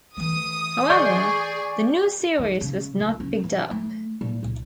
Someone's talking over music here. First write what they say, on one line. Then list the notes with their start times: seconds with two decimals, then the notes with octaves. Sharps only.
However, the new series was not picked up.
0.17 E3 A3 D#6
0.90 G#4 D5 C#6 G6
2.39 D#3
2.61 C#3
2.99 C#2
3.20 C#4
3.44 E3
3.71 A3
4.21 A#2
4.43 C#2